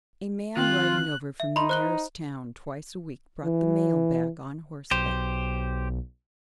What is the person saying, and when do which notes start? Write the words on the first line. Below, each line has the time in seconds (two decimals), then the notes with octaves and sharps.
A man riding over from the nearest town twice a week brought the mail-bag on horseback.
0.57 D#3 C4 F4 G5 F#6
1.40 E5
1.56 D#4 B5 C6
1.69 C5 F#6 G7
3.46 E3
4.91 B1 G4 C5